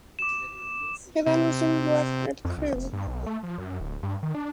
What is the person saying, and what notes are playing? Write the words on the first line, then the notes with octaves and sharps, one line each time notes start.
He then resumed work at Crewe.
D6 E7
C3
F2
C2
F1
G2
B1
A3
F3
F#2
D1
G2
D#3
D4